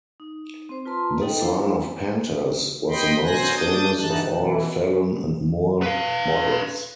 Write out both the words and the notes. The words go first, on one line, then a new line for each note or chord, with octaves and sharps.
This line of Panthers was the most famous of all Phelon and Moore models.
D#4
C4 C5
F4 B4 A5 A#5 C6
D#4 A4 D#5 G5 A#5
D4 E4 C5 F5 F#5
D#5 G5 B5 C6
B2 F#3 C5 G#5 F#6 A#6
D4 D#6 G6 A6
G2 D3 E3 D#4 A5 F#6
B2 E3
B4 F5